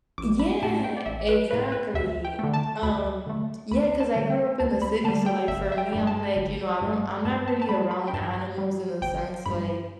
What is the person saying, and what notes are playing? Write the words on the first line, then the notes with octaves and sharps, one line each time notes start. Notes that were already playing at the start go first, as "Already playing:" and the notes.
Yeah, exactly, um, Yeah, 'cause I grew up in the city. So, like, for me, I'm like, you know, I don't I'm not really around animals in a sense, like,
A1 D6
B5
A2 A3 A5
G5
D5
A1 E5
B4
A2 A3 B4
B4
D2 E5
G5
D3 A3
A5
D2 B5
D3 A3
D2 B5
A5
D3 G3
G5
D2 A5
B5
D3 G3 A5
G5
G1 E5
E5
G5
G2 G3
A5
G1
G2 G3
G2 A5
A5
A5
G3 B5
B5
G5
G2 A5
G3
G1 G5
G2 G3 B5